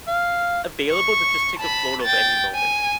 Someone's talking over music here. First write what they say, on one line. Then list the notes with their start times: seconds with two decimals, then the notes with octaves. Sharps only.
a available to just take a photo of any moment.
0.08 F5
0.90 C#6
1.59 A5 B5
2.03 G5 A6
2.55 G#5